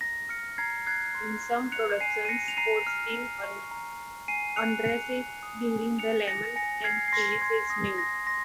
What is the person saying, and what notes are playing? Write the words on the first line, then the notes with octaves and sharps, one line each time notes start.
In some productions Foreskin undresses during the lament and finishes nude.
A#5 A#6
F6 A#6 C#7
A#5 G#6 C7
F#6 G#6 C7
C6
C6
F#6 C#7 F7
G#5 C7 D#7
D#7
F#6 A#6 C#7
F7
A#5 C7 D#7
F6
A#5
C#6
A#5
A#5
G#5 C7 D#7
F#6 C#7 F7
F#6 C#7 F7
G#5
D#6
G#5
F#6 C#7 F7
G#5 A#6 C#7
G#5 A#6 C#7
F6 G#6 C7
C7
C6 A#6
C6 G#6
D#6 A#6
C6 A#6
C6 A#6